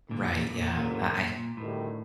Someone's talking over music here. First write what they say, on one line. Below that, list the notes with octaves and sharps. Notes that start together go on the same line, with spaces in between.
Right, yeah, I I
A#2 D3
A#2
A2
A#2
F#1 F#2 A#2 D3 F#3 A#3
A#2
A2
A#2
A#2
D2 A2 C3 D#3 G3